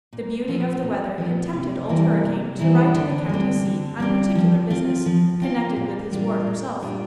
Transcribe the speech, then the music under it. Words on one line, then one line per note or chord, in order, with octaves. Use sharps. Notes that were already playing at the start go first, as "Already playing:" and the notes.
The beauty of the weather had tempted Old Hurricane to ride to the county seat on particular business connected with his ward herself.
A#2
F3 C4 F4
A#2
F3 C4 F4
C3
E3 G3 A#3 E4
C3
E3 G3 A#3 E4
D3
G3 C4
D3
G3 C4
F3
C4 F4
F3
C4 F4
A#2
G3 D4 F4
A#2
G3 D4 F4